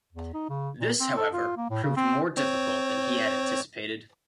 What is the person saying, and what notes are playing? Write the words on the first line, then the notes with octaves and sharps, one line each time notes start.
This, however, proved more difficult than he had anticipated.
E2
D#4
C#3
A#2
C4
A4
F4
A#3
A2
C#3
C4
C4 C#5